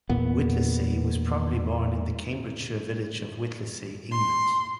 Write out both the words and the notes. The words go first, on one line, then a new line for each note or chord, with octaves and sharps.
Whittlesey was probably born in the Cambridgeshire village of Whittlesey, England.
E2 A#2 B3
C6